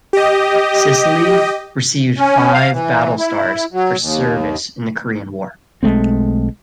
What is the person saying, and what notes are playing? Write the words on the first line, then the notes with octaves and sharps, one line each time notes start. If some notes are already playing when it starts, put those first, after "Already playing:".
"Sicily" received five battle stars for service in the Korean War.
G4 D#5
C#4
F5
E3
E4
F#3
D#2
B1 G#3 A3 C4